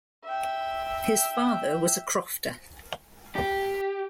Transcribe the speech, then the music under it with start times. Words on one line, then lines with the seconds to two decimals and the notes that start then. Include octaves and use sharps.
His father was a crofter.
0.25 E5 G5
3.36 G4